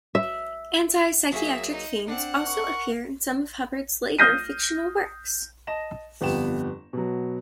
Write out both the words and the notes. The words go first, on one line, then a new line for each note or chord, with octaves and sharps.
Anti-psychiatric themes also appear in some of Hubbard's later fictional works.
E5
F#3 A#3 G#4 E5
D#4
C4 D4 F#5
A#4 C#6
D#6 F6 G6 A#6 C7 D#7
D#5 A5 A#6 E7
G1 F2 B3 G4 G5 E7
B2 F#3